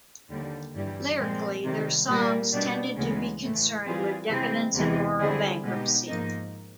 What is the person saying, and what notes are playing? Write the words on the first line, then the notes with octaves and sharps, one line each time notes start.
Lyrically, their songs tended to be concerned with decadence and moral bankruptcy.
D#2 D3 G3
G2 E3 G3
A#2 F3 G#3 C4
C3 D#3 G3
A#2 G3 A#3
B2 G3 B3 D4
D2 C#3 E3 G#3 B3
A2 E3 A3
E3 G3 C4 F4 G#4
C3 E3 G#3 C4
E2 C3 E3 G#3
D3 G3 C4 E4 G#4
B2 G#3 B3 D#4 G4
G#2 F3 A#3 D#4